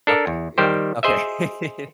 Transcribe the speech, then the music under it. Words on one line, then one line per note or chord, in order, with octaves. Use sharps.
Okay, yeah, okay.
D4 A4 A#4
E2
D#3 G3 G4 C5
G#4 C5 D#5 E5